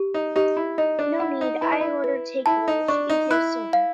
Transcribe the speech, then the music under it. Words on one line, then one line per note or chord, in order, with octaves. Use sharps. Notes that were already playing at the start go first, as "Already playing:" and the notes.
No need, I ordered take away, it should be here soon.
Already playing: G4
D#4
D#4 G4
E4
D#4 D#5
D4
E4 F#5
D#4
E4 B4
D#4
E4
B4
E4 A5
D#4
D4 C#6
D#4
E4 F#6
F5